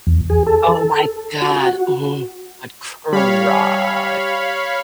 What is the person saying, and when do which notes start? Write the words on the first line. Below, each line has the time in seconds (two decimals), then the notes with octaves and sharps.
Oh my god, ooh, I'd cry.
0.07 E2
0.30 G#4
0.47 A4
1.42 F#4
1.56 F#4
3.13 G3 C#5 F5 B5